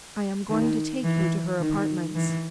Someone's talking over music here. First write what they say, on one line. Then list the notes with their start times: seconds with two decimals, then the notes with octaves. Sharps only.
I am going to take you to her apartments.
0.49 D#3
1.04 E3
1.60 D#3
2.16 E3